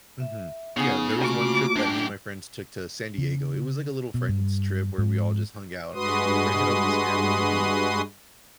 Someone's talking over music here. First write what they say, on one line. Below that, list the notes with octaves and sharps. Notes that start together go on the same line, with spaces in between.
Mhm. Yeah. There is one trip that me and my friends took to San Diego. It was like a little friend's trip where we all just hung out, and we rented out this Airbnb.
E5
C#3 B3 D#4 G#4
A3 A#3 F4 F#4 D6
F#2 D4 G4
C#3
B2
G2
G#2
G2 G#3 F#4 B4 C6 D#6